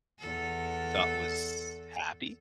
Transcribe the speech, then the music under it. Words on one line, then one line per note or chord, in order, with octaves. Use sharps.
you thought was happy?
E2 A4